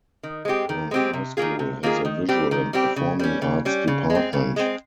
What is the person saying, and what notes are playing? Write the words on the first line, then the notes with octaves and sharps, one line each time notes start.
Lincoln High School has a Visual and Performing Arts Department.
D#3
G#3 C4 G4
D#3
G#3 C4 G4
C3
D#3 A#3 F4 G#4
C3
D#3 A#3 F4 G#4
D#3
G3 C4 G4
D#3
G3 C4 G4
C#3
G3 C#4
C#3
G3 C#4
C#3
G#3
C4
C#3
G#3 C4